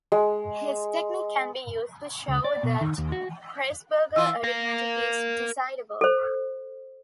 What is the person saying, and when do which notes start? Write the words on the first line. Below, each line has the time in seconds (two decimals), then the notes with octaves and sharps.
This technique can be used to show that Presburger arithmetic is decidable.
0.12 G#3
2.28 C#2
2.44 D5
2.63 B2
2.81 D#3
2.98 D#2
3.12 F#4
4.16 E3 F4 E6
4.44 A#4 F5
6.01 A4 C5